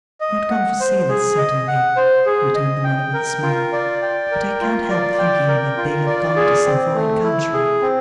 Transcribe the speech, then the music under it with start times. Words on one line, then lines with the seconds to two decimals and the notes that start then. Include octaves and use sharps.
'Not gone for sailors, certainly,' returned the mother with a smile. 'But I can't help thinking that they have gone to some foreign country.'
0.21 D#5
0.50 F#5
0.80 C5
1.09 G#4
1.38 D#5
1.68 F#5
1.96 C5
2.26 G#4
2.55 D#5
2.84 G5
3.14 A#4
3.43 F4
3.73 D5
4.02 G5
4.31 A#4
4.61 F4
4.90 D5
5.18 G5
5.48 A#4
5.77 F4
6.06 D5
6.36 G#4
6.66 C4
6.95 A3
7.23 E4
7.53 G#4
7.82 C4